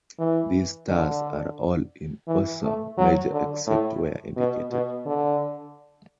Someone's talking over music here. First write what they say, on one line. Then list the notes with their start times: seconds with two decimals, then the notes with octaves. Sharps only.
These stars are all in Ursa Major except where indicated.
0.19 E3
0.89 D3
2.28 E3
2.63 A3
2.98 F#3
3.32 D3
3.67 A2
4.37 B2
4.71 B2
5.06 D3